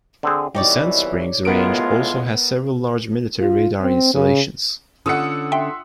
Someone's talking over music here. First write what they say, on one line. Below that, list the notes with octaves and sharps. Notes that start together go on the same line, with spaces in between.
The Sand Springs Range also has several large military radar installations.
D3 C4 G#4
C2 B2 E3 D#4 G4 C#5 D5
A2 G#3 B3 F4 A#4 D7
F4
C4
C#3
D3 C#4 F4 F#5 D#6 E6 C#7
E5 G5 C6